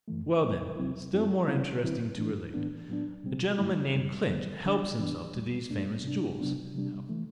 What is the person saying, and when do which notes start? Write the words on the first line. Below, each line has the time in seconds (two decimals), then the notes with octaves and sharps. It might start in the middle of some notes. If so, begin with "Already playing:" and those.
Well, then, still more interesting to relate, a gentleman named Clinch helps himself to these famous jewels.
0.08 F#2 E3 A3
0.42 C3 F#3 B3 E4
0.77 E2 C3 F#3 C4 E4
1.13 F#2 F#3 C4 E4
1.47 C3 G3 C4 E4
1.83 D3 F#3 C4 E4
2.17 A2 E3 A3 D4
2.53 A2 E3 B3 D4
2.89 A2 F#3 B3 D4
3.24 B2 G3 C4
3.58 G2 D3 F#3 A3 E4
3.94 F#2 D3 G3
4.29 D3 G3 B3
4.64 D3 G3 D4
4.98 F#2 E3 B3 D4
5.34 E2 B2 G3
5.70 E2 B2 A3 D4
6.04 C3 G3 D4
6.39 C3 F#3 B3 D4
6.75 C3 G3 D4
7.09 E3 A3